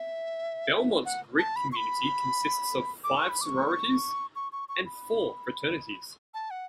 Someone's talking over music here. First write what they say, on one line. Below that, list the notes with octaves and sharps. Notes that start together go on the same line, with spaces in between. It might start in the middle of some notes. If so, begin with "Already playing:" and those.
Belmont's Greek community consists of five sororities and four fraternities.
Already playing: E5
F#5
A5
B5
C#6
B5
D6
C#6
B5
D6
C#6
C#6
C#6
C#6
B5
A5
F#5